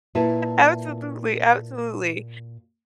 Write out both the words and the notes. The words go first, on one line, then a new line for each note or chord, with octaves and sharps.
Absolutely. Absolutely.
A#2 E4 B4 A5